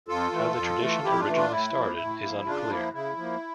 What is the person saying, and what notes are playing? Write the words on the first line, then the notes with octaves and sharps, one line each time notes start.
How the tradition originally started is unclear.
F2 F4 A4
E3 A3
F2
E3 A3
F2 E4 G4
D4 F4
E3 A3
D4 F4
A2 E4
F3 A#3
A2
F3 A#3
C#3 D4 F4
F3 A#3 E4
C#3 E4
F3 A#3